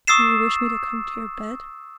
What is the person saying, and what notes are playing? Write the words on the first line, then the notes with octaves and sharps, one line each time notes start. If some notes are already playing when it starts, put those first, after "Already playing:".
"Do you wish me to come to your bed?"
C#6 D#6 E6 A6 C7 E7